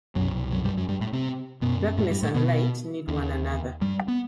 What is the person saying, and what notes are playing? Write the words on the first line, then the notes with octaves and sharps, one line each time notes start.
Darkness and light need one another.
C2 F#2 B2 F#3
F#2 F#3
G2 G3
F#2 F#3
G2 G3
A2 A3
C3 C4
F#2 B2 B3
A2 A3
G2 G3
A2 A3
B2 B3
D#2
G2 G3
B3